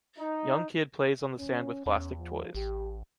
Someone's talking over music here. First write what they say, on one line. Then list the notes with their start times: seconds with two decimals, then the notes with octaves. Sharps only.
Young kid plays on the sand with plastic toys.
0.18 D#4
1.39 C#4
1.86 E2 C#4
2.17 F3
2.54 A1 G4